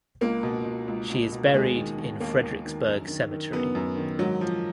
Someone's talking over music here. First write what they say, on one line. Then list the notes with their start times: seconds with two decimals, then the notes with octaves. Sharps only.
She is buried in Frederiksberg Cemetery.
0.21 C#2 A#3
0.43 B2
0.65 B2
0.88 C#2
1.10 C#2
1.32 B2
1.53 D#2 G#3
1.76 D#3
1.98 D#3
2.20 D#2 A#3
2.43 D#2
2.65 D#3
2.87 F#2
3.08 D#3
3.31 D#3
3.52 F#2 B3
3.75 F#2
3.97 D#3
4.19 G#2 F#3
4.41 F3